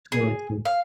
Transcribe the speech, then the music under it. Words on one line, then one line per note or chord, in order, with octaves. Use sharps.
totally true.
G#4
F5